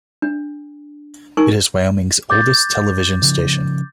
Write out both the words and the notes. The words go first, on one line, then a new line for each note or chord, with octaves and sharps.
It is Wyoming's oldest television station.
D4
D#4 A#4 G#5 C#6
D6 G6 A6
C#3 F3